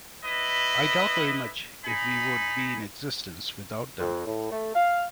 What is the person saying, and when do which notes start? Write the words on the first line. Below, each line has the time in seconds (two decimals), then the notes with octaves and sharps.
I doubt very much if we would be in existence without them.
0.24 E4 B4 D#5
1.85 D#4 G#5 B5
4.00 F2
4.26 A2
4.51 A3
4.75 F5